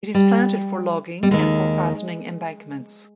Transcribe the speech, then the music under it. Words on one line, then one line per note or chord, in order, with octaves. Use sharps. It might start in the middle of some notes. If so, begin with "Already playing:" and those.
It is planted for logging and for fastening embankments.
G3
G3
D#2 D#3 G#3